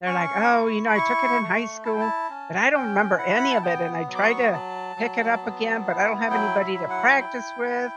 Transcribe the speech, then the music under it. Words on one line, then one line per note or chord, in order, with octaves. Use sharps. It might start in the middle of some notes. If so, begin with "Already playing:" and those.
They're like, "Oh, you know, I took it in high school, but I don't remember any of it, and I tried to pick it up again, but I don't have anybody to practice with.
C#4 C#6
E4
B5
E4 C#6
A3
E4 A5
G5
A5
C#4
C#4 G5
E4 F#5
B5
A5
B3 G5
F#3
D6
C#6
F#3 A5
F#3
B3
E4
F#3 G5
E5
E4
F#5
E4 G5
E4